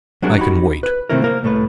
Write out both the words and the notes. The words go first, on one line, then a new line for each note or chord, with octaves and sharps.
I can wait.
F#3 G3 D4 F#4 G#4 A#4
D#4 F#4 G4 B5
B4
C3 D#3 A3 C4 E4 A#4
A#3 A#4 C5
C2 A2 A3 B4